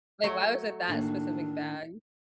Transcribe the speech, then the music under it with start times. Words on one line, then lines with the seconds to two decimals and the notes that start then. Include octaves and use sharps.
Like, why was it that specific bag?
0.24 F#3 A3
0.88 A2 D#3 A#3 D4